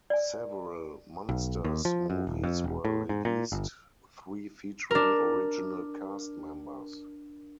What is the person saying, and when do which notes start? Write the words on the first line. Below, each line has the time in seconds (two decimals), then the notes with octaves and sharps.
Several "Munsters" movies were released, three featuring original cast members.
0.10 D5 G#5
1.29 B1
1.64 D#2
1.85 F3
2.10 F#2
2.27 D#1
2.44 F2
2.64 E1
2.85 A2
3.09 G#2
3.25 A#2
3.52 G1
4.91 D4 A#4